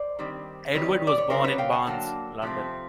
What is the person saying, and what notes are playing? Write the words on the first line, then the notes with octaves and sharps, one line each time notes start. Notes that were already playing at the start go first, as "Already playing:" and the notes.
Edwards was born in Barnes, London.
Already playing: C5 D5
D#3 G3 C4
D#3 G3 C4 B4 C#5
D5
C#5
C#3 F#3 A#3 A#4 C5
B4 C#5
F5 G5
F#5 G#5
D3 F#3 A#3 A5
C3 F3 A3 C4